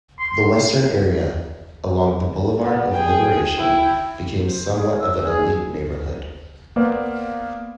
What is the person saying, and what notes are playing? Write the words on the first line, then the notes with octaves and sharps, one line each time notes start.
The western area, along the Boulevard of Liberation became somewhat of an elite neighborhood.
C6
B3
G#4 G5
E4 G5
C5
G#4
E6
G#4
A#3 B3 B4 C5 D5 F5